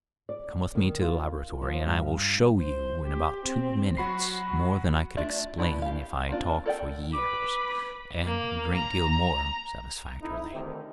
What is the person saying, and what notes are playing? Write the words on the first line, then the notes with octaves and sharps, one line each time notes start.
"Come with me to the laboratory, and I will show you in about two minutes more than I could explain if I talked for years, and a great deal more satisfactorily."
D5
D#3
F4
F3
G2
C5
G4
C4
F#3 F#4 B5 C7
A3 D4 F4 E5
B3 D4 E4 F#4 G4
G4 F5
A#3 C4 D4 F4
A4 A#4 D5 F5 G5
B4 B5 D6
A#3
A#5
F2 D#4 E4
D2 C3 D#3